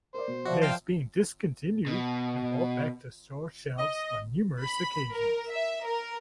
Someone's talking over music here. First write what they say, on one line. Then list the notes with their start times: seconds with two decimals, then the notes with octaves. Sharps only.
It has been discontinued and brought back to store shelves on numerous occasions.
0.14 A#4 C5 D5
0.28 B2
0.45 F3 F#4 D5 E5
0.62 C5 F5 G5
1.87 B2
3.78 D#5
4.61 B5
5.12 A#4
5.51 E5
5.85 A#4